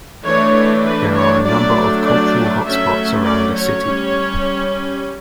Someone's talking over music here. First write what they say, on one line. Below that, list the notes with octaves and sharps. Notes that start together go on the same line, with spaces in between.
There are a number of cultural hot spots around the city.
E3 A3 D4 C#5
B4
C#5
F#3 A3 D4 D5
D5
F#3 A3 C#4 E5
D5
C#5
G3 C#4